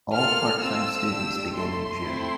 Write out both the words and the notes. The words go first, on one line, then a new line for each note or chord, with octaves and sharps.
All part-time students begin in June.
A#3 F4 A4 F6
C4 F4 A4 E6
D4 G4
A3 E4 A4 C6
A3 C4 E4